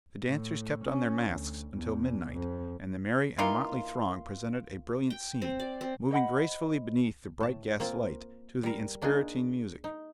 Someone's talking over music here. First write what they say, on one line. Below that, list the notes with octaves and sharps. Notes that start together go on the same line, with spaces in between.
The dancers kept on their masks until midnight, and the merry and motley throng presented a brilliant scene, moving gracefully beneath the bright gas-light to the inspiriting music.
A2
C#4
D2
E2
F2
E3 A#3 D#4 F4
G5
C4
D5
C4
C5 D#5 F#5 B5
A2 A5
A#3 C4 F4
G3 A#4
A#3 D4 D#4 F4 G#4
D#4